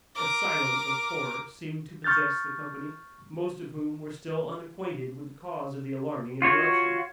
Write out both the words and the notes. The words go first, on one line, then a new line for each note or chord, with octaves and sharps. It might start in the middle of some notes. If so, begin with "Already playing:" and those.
A silence of horror seemed to possess the company, most of whom were still unacquainted with the cause of the alarming interruption.
A#4 D6
C#6 F6 G6 A6
F4 F#4 C#5